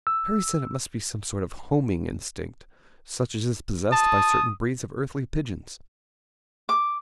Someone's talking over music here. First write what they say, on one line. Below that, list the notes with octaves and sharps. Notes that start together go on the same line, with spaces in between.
Perry said it must be some sort of homing instinct such as is possessed by certain breeds of earthly pigeons.
E6
A5 D#6
D6